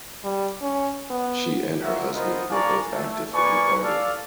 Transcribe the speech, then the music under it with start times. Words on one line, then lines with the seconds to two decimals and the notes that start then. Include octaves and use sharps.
She and her husband were both active in the party.
0.24 G3
0.62 C#4
1.10 B3
1.83 A#3 F4 F#4 E5
2.14 B3 F4 A#4 C5 D#5
2.49 D4 D5 F5 G#5 A#5 C#6
2.92 A3 E5
3.34 A#3 B4 D5 G#5 C#6
3.83 A4 D5 F5